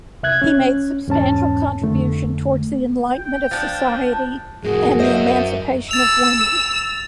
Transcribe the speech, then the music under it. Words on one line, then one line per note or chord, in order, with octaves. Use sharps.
He made substantial contribution towards the enlightenment of society and the emancipation of women.
C2 E5 F#6 G#6
C#4
E2 G#2 C#4 A5
F2 D3 A3
G5
F3 D4
F2 A2 F#4 G#4 A#4 F#5
F#2 C5 D#5 E5
E6 A6 F7